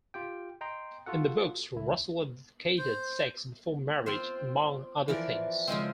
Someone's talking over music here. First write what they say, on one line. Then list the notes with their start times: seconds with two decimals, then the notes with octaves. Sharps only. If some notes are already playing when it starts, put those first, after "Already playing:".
In the books, Russell advocated sex before marriage, among other things.
0.14 F4 G4 G5
0.61 D#5 G5 A#5 C6
1.06 F4 F#4 A4 F#5
1.75 C#2 E4
2.78 C5
4.06 C4 F4 C5
5.08 E3 F3 A#4 D5
5.68 C#3 F3 G#3 C4